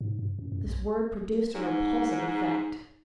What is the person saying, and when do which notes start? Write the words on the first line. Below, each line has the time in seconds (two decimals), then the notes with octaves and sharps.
This word produced a repulsive effect.
0.01 G#2
0.19 G2
0.39 F#2
0.52 F#2
0.65 A#1
1.55 G#2 D#4